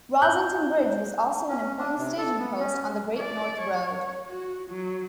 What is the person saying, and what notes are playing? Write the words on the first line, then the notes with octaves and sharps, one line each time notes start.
Rossington Bridge was also an important staging post on the Great North Road.
F#6 G6
C#4
D4
C3
A4
B3
C#4
D5
C#5
F#4
F#3